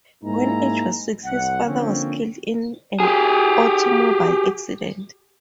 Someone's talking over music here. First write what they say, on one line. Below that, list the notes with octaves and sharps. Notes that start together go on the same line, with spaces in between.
When Agee was six, his father was killed in an automobile accident.
G#2 A#3 D#4 E4 G#5 A#5
C2 F#5
D3 F3 A#3 C4 C#4
G4 G#4